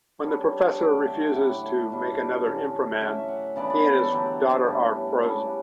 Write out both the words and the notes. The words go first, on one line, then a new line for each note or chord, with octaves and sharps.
When the professor refuses to make another Inframan, he and his daughter are frozen.
C#3 G3 D4 C#5
D3 F#3 A3 D5
F#5
E5
G5
A2 F#3 A3 F#5
A2 G3 D4
D5
D3 F#3 C#4
D3 A3 C#4 E5
F#5
C#3 E3 B3 D4 D5
D5
B4
A4
D3 F#3 A3 G4
A2 G3 C#4
C#3 G3 D4 F#4